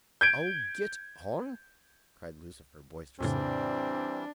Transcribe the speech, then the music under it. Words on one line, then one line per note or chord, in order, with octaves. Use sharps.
"Oh! get on," cried Lucifer, boisterously.
G6 G#6 D7
F2 A2 C#3 E3 G3 C4 D4